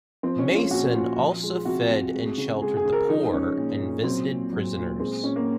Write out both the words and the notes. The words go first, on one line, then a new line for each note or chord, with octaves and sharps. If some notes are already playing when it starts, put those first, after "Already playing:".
Mason also fed and sheltered the poor, and visited prisoners.
F3 C4
C#4
G#3
F4
A#2 F#4
A#2 F4
F3
G#3
C3 F#4
C3
G#3
C#3
G#3 G#4
G#4
C#3
A#4
F3 D#4
G#3 C#4
A#2
A#2
F#3 C4
A#2
F#3
A#2
G#3 C4
A#2 C#4
A#3